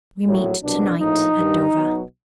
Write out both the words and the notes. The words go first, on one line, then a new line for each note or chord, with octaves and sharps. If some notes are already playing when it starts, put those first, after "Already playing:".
We meet to-night at Dover!
A#1 A2 F#3
C2 B2 F#3 D4
A#1 A2 F3 D#4
G2 D#3 G3
B1 B2 F#3